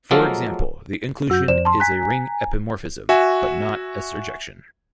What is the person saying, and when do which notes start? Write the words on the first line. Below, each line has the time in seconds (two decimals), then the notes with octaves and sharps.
For example, the inclusion is a ring epimorphism, but not a surjection.
0.11 F3 F#3 G#3 A#3 A4 A#4
1.30 F#2 F#4 E6 G6
1.48 F2 C5 D5 E7
1.65 A5 C6
1.80 G#5 A#5 F#6 B6
3.09 F#4 E5 G#5